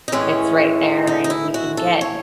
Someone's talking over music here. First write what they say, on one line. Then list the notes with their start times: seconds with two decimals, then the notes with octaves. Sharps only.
it's right there, and you can get
0.08 D#4
0.12 A2 E3 G#3 C#4
1.07 D#4
1.24 D#4
1.30 E4
1.54 F#4
1.77 A4
2.01 C#5